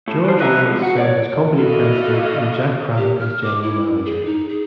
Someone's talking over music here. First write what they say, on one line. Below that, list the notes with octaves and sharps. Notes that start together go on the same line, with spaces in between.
George Raikes served as company president, and Jack Craddock as general manager.
A2
E3 C5
B4 D#5 E5 G5 A#5
F2 A2 F3 G#3
F#4
C#5 D5
E4 F#4 A4 D5 D#5 F5
G4
F6
D6
E4
G#4
D#4
G#4